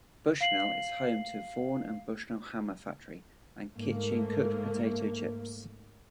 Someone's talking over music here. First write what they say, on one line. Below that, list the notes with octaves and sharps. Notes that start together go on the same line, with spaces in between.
Bushnell is home to Vaughan and Bushnell hammer factory and Kitchen Cooked Potato Chips.
F5 C7 F#7
G#2 A3 A#3